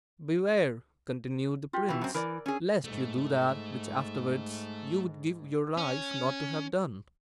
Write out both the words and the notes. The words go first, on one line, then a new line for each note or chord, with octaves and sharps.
"Beware," continued the prince, "lest you do that which afterwards you would give your life not to have done."
F4 G4
B2 E3
F#2 C4 F#4
E3 A#4 D5
C#4 G#4
G#2 A3
C#4